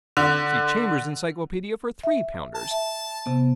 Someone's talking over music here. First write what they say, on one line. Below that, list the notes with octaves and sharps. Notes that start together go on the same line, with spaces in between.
See Chambers' Encyclopedia for three-pounders.
D3
E5
A5
E5
C3 B3